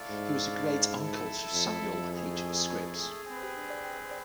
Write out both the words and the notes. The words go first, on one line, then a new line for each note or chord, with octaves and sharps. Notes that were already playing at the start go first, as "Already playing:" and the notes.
He was a great uncle to Samuel H. Scripps.
Already playing: A3 E4 A4 D5 F5
G#2
E4 A4 E5
F2
F2
A3 E4 G#4
C4 G#4 B4